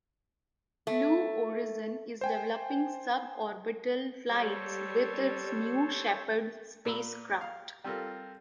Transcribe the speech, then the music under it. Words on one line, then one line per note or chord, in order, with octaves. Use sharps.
Blue Origin is developing suborbital flights with its New Shepard spacecraft.
A3
C5 G5 G#5
G3 A4 C5 C#5
A#2 B5 E6
F5
G3 C4 F4 A4 A#4